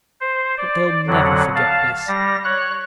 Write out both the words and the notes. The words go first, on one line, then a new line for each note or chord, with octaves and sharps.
But they'll never forget this.
C5
D5
F2 D3 F#3 F#5
F5 A5
G3 A#6
C#5 F#6